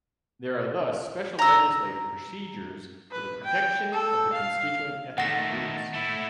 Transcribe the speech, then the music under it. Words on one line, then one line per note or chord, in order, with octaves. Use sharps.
There are thus special legislative procedures for the protection of the constituent ethnic groups.
A#5 E6
B4
G5
A4
F5
D#3 A3 F#5 A#6
A3 E4